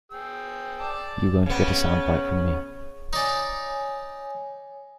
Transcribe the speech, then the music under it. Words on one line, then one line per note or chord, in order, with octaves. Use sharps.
You won’t get a soundbite from me.
G#4 G5 E6
D5 A5
C#3 B3
D#4 C#5 D5 G#5